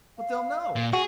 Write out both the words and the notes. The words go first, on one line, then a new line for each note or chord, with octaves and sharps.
"But they'll know...."
F5
A#2
F#4 G#4